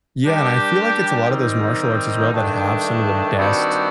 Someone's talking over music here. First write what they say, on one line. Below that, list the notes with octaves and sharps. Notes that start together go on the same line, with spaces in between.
Yeah, and I feel like it's a lot of those martial arts as well that have some of the best
G3 D4 G4 A#4
D#3 G3 C4 D#4
G2 D#3 A3 D4 G4
G2 D#3 G3 C4 F#4